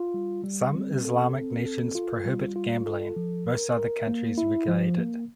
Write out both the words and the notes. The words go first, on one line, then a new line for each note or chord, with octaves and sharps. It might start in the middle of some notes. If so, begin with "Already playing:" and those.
Some Islamic nations prohibit gambling; most other countries regulate it.
Already playing: F4
G3
G3
C4
A4
C4
A4
F4
G3
F4
A4
F3
A#4
A#4
A#3
E4
F3
A#3